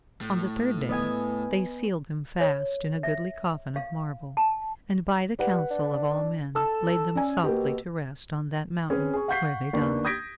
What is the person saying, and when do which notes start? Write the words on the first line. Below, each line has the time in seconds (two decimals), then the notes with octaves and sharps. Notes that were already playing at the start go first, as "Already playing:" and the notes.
On the third day they sealed them fast in a goodly coffin of marble, and by the counsel of all men, laid them softly to rest on that mountain where they died.
0.21 A2
0.89 B3 D#5 G#5
2.41 C#5
3.03 E5
3.76 F5
4.37 A5
5.39 G3 B4 F#5
5.71 D4
6.55 A4 A5 E6
7.15 C#4 D5 G#5
7.44 B2 A#3 G4
8.90 C4 C#4 G#4 B4
9.13 G#4 C#6
9.28 F5 F#5 C#6 G6 B6 C7
9.73 D#2 A#3 B3 D4 C#6
10.05 D#6 G6 G#6 A#6 B6 D7